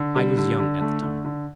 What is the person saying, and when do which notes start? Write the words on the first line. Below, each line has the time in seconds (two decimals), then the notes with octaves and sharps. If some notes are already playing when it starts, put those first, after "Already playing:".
I was young at the time.
Already playing: D3
0.16 G3
0.38 D3
0.59 D3
0.81 A3
1.03 D3
1.25 D3